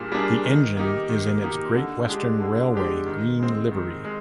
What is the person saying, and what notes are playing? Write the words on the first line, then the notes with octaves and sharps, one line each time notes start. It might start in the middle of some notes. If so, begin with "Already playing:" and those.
The engine is in its Great Western Railway green livery.
Already playing: A#2 G3 A#3 D4 G#4
G3 A#3 D4 G#4
D#3
A#3 D#4 G4
D#3
A#3 D#4 G4
D3
G#3 D4 G4
D3
G#3 D4 G4
D#3
G#3 C4
D#3
G#3